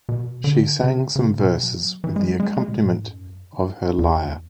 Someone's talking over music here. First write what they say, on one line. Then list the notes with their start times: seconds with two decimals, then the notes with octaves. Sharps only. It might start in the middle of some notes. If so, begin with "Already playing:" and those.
She sang some verses with the accompaniment of her lyre.
0.09 B2
0.44 D3
0.81 C#3
1.16 C#3
1.39 B2
1.63 F#3
2.04 E3
2.16 G#3
2.23 F#3
2.40 G#3
2.57 G#3
2.69 B2
2.81 A2
2.95 G#2
3.05 F#2
3.99 E2